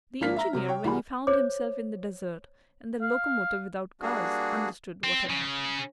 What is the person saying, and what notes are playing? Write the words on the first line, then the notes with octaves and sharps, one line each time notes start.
The engineer, when he found himself in the desert, and the locomotive without cars, understood what had happened.
G#1 F3 A#3 D4 F6 B6
E5 A#5 A#6
C3 F#3
C#5 G5
C2 E3 G3 F#4 G#4 B5
C5 C#5 D6
F5
G3 A#3 D4 F#4 G#4
C4
C#3